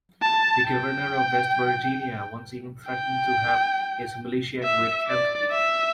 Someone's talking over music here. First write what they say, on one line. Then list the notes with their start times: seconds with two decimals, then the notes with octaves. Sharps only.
The governor of West Virginia once even threatened to have his militia invade Kentucky.
0.22 A5
0.66 G5
2.87 G5
4.63 E5
5.07 D5
5.51 E5